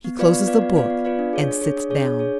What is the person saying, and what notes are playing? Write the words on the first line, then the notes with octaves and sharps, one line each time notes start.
He closes the Book and sits down.
B3
F4 B4 D5 F5
B3
F4 B4 D5 F5
B3
F4 B4 D5 F5
B3
F4 B4 D5 F5
D4
G#4 C#5
D4
G#4 C#5
D4
G#4 C#5
D4
G#4 C#5